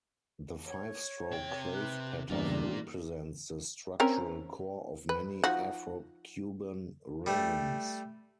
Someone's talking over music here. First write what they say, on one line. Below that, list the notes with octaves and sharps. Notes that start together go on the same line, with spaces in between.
The five-stroke clave pattern represents the structural core of many Afro-Cuban rhythms.
C#5
C3 G5
B4
E2 G2 A#3 D4 F4
C4 C#4 A#4
B4
F3 D#4 F#4
G3 A3